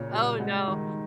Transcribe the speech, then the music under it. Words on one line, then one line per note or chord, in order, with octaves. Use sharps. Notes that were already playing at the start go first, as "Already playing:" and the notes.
Oh no.
Already playing: A#2 C#3 C#5
G3
G#3 F#5
D#3